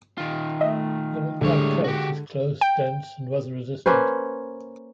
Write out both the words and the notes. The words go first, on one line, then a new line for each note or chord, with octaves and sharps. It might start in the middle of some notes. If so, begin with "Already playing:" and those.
The McNab coat is close, dense and weather resistant.
D#3 F4
A3 D#5 E5
C2 A2 D3 G3 G#3 C#5
F#4 G4
G5
A#3 C#4 B4 C5